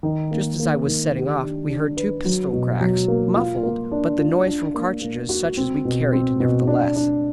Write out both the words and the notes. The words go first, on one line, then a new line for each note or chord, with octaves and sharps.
Just as I was setting off we heard two pistol cracks, muffled, but the noise from cartridges such as we carried, nevertheless.
D#3
A#3
A#3
D#3
G4
D4
D4
B4
F#3
B2
F#3
A#3
F4
A#3
D4
F4
D4
A#3
A#3
F#4
C4
B2
C4
B2
D4
D4